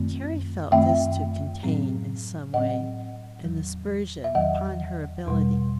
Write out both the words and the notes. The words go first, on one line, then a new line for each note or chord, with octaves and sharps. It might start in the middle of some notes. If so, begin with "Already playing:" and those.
Carrie felt this to contain, in some way, an aspersion upon her ability.
Already playing: F#2 D#3 A3 C4
F#2 D#3 A3 C4 E5 G5
A2 F#3 C4
A2 F#3 C4 D#5 F#5
E2 D#3 F#3
E5
E2 D#3 F#3 D#5 F#5
E2 B2 G3